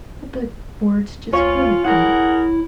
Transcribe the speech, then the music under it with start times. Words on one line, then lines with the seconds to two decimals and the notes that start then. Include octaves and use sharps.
But the words just wouldn't come.
1.33 D2 C#4 F4 C#5
1.85 E4 G#4 A#4 F#5